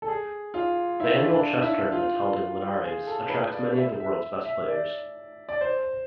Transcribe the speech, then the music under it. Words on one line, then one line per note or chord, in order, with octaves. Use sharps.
The annual chess tournament held in Linares attracts many of the world's best players.
A4
G#4
F4
E4
D4
E4
F4
G#4
A4
B4
D5
E5
E5
E5
D5
D5
C5